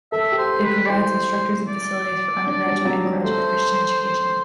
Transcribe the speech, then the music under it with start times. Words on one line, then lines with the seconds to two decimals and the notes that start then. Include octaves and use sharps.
It provides instructors and facilities for undergraduate and graduate Christian education.
0.12 A4 E5
0.32 G4
0.38 C5
0.51 A4
0.64 B4
0.86 D5
0.90 E4 C5
1.68 D5
2.46 D4
2.67 G3
2.85 F#3
3.05 G3
3.24 A3 C5